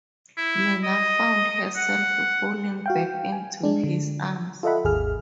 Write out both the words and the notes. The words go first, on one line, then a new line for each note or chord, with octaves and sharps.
Nina found herself falling back into his arms.
E4
D#5
F#5
F#4 F5 G5
G#5
G#3 D4
D3
F4 A4 D#5 E5 F#5 B5
G#1 D#2 G#4 F6